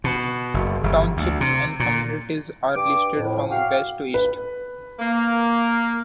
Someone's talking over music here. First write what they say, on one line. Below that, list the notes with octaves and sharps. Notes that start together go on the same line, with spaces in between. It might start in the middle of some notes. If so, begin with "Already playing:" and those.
Townships and communities are listed from west to east.
B2
F#1
G1
D2
C3
A#2
G2 G4 D6
F2 A2
F#4 G4 F5
B4
A#3